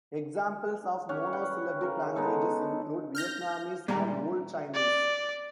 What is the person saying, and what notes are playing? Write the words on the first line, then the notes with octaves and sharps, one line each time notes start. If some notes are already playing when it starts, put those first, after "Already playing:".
Examples of monosyllabic languages include Vietnamese and Old Chinese.
C#4 G4 C#5 F#5
B4 F#5 G5
C#3 A#4
G#3 B3 D#4 A4
F6 G6 A#6
A#2 G3 G#3 A#5
D5